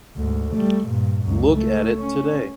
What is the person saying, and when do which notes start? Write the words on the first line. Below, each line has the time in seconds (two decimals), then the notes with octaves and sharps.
Look at it today.
0.17 D2 G#2
0.52 G3 A3
0.87 G2 A#2
1.24 C#2 F#2
1.53 A3
1.99 C#4